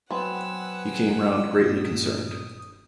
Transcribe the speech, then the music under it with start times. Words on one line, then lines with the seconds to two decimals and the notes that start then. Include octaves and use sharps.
He came round greatly concerned.
0.11 F#3 B3 C4 B4 F#5 G#5 E6
1.60 G2 A#2 D#6